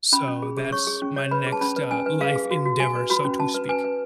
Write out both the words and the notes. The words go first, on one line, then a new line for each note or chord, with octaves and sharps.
So that's my next, uh, life endeavor, so to speak.
C#4 B5
C#4
G#4
G#4
C#5 C#6
G#4
C#4
C#5
B4 B5
G#4
A5
C#4 B5
B4
C#4 G#5
B4
G#4 F5
G#4
F#4
F#4
F#4 G#5
B4
F#4 B5
C#4
C#4 A5
B4
B4 G#5
B4